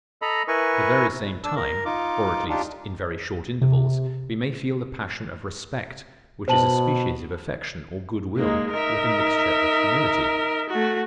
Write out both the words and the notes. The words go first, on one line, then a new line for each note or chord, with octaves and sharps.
At the very same time, or at least in very short intervals, we may feel the passion of respect, which is a species of affection or good-will, with a mixture of humility.
A4 D#5 A#5 B5
E4 A#4 B4 G#5 C#6
D4 E6
A#4
D#4 F4 D6
D4 D#4 F4 G4
C3
B2 C5 A5 F#7
G#3 A#3 D#4
A#4 E5
A3 F#4